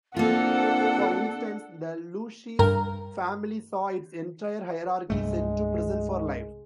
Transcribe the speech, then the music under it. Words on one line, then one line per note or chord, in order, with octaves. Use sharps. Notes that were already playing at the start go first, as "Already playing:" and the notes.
For instance, the Lucchese family saw its entire hierarchy sent to prison for life.
A#3 C4 D4 F4 A4 F#5
G2 A#4
C2 G2 G#3 A3